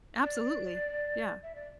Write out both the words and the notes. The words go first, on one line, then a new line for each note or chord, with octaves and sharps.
Absolutely. Yeah.
D5
E5
D5